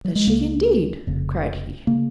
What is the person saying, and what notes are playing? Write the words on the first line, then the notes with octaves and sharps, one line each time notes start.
"Does she indeed?" cried he.
F#3
G#3
C#2 C#3 A#3
F1 F2 C#3
C#3 A#3